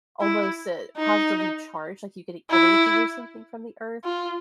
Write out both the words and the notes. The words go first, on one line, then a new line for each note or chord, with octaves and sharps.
almost, uh, positively charged, like you're getting energy or something from the earth.
E4
D#4
E4
F4